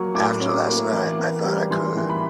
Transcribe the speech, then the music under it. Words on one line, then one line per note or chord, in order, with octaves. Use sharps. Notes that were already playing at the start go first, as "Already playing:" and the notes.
After last night, I thought I could.
Already playing: F#3 A#3 C#6
A2 D6
C#4
A#3
E3
B3
G3
E3 C6
E3
B5